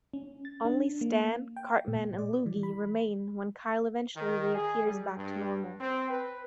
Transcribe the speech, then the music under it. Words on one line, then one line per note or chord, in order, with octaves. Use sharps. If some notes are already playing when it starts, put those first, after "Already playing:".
Only Stan, Cartman, and Loogie remain when Kyle eventually reappears back to normal.
C#4
A6
D4
A#3
G5
A#2
D5
E3
B5
D#3
G#4
G3
G2
C4
B4